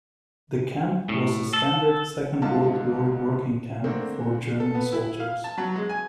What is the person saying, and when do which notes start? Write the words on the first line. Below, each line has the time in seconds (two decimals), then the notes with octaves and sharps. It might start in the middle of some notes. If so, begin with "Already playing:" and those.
The camp was a standard Second World War working camp for German soldiers.
1.09 A2
1.53 A4
2.42 C2 G#2 D3 F4 A5
3.84 D3 A3 A#3 C4 D4
4.60 A4
4.75 B3
4.93 E4
5.20 F5
5.44 A5
5.58 F#3
5.76 G#3
5.89 G#5